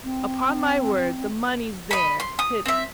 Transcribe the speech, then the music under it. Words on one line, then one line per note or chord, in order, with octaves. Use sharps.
"Upon my word, the money's there, hidden."
C4
D#5 B5
C6
D#6
C4 E5